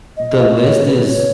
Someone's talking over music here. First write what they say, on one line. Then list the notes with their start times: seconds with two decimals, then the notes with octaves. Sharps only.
the list is
0.17 D#5
0.40 F5
0.43 D#5
0.62 C#5
0.86 B4
1.08 C#5